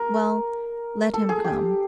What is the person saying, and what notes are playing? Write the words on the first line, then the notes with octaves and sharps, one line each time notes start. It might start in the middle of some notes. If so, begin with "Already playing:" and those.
Well, let him come.
Already playing: A#4
A4
G#4
G4